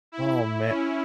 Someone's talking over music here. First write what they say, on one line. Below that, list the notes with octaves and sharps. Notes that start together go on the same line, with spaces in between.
Oh, ma
E4
C#4